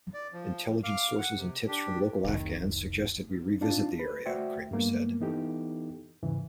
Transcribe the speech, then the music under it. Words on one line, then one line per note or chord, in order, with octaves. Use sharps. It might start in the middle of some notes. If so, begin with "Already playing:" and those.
"Intelligence sources and tips from local Afghans suggested we revisit the area," Cramer said.
D5
F3
F5 D6 F6
F#5
C3
D4 G4
F1 C2 D#3
C4 D4 D#4 F4 A5
B4
A3 F#4 C5 D5 E5 G5
G2 F#3 G#3 A#3 B3
E3 B3 D#4 E4 G4 A4
E2 G#2 C#3 E3